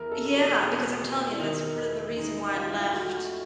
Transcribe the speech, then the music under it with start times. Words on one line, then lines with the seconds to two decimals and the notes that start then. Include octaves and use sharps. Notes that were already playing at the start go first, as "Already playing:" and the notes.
Yeah, because I'm telling you, that's part of the reason why I left
Already playing: E2 A#4
0.12 A4
0.25 B2
0.37 A4
0.52 G4
0.62 B2 G#4
1.02 E2
1.32 E4
1.39 D#3 D#4
1.79 E2
2.17 G#3 D#4
2.54 G#3 F4
2.67 E4
2.78 F4
2.93 A3 F#4